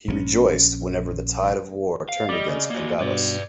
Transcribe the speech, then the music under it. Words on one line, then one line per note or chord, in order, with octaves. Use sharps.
He rejoiced whenever the tide of war turned against Pandavas.
A#1 F3 C#4
F5
G3 D5 D#5
C#3
A#3 F#4
G2 B2 B4 D5